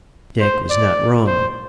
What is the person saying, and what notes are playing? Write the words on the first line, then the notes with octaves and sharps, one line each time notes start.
Dick was not wrong.
C5
D5
C5